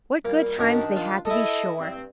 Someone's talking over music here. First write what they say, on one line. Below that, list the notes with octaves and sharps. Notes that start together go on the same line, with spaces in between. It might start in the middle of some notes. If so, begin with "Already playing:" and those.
What good times they had, to be sure.
A#2 G3 A#3
F#2 D#3 D4 A#4
F4
E4 A4 D#5 D#6
G2 C4